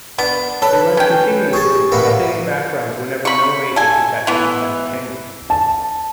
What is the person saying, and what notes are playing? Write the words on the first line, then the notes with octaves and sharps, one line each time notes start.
It runs continuously, updating backgrounds whenever no weight is detected inside the chamber.
B3 D4
A4 B4 C#5
C#4 G5
G4 G#4 A5 C#6
A2 A#3 B3
B5 C#6
A4 G#5
E3 B3
A5